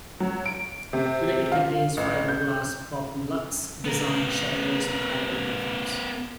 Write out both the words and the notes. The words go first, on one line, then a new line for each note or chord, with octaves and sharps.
Today it contains fiberglass populuxe designed shelters on high-level platforms.
F#3
D7
C3
F4
A1
G6
B3 A#4